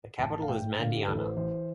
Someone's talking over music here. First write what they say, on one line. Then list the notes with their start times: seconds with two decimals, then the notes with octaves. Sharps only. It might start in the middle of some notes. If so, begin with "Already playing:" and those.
The capital is Mandiana.
0.18 A1 A5
0.42 F5
0.49 A2 G5
0.78 D3 F5
0.95 G4
1.07 A1 A4
1.16 B4
1.21 C5
1.36 E3 C5